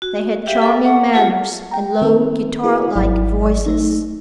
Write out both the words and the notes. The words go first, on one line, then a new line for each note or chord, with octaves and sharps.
They had charming manners, and low, guitar-like voices.
F#4
G4 E5 F5 G5
A4 C#6 D6
F#5
F4 G4 G#4 F#5
G5 A#5
D#3 C4 A#4 B4
E4 F#4 G#4 A#4 B4
G#1 F#3 E4 D5
A3 D#4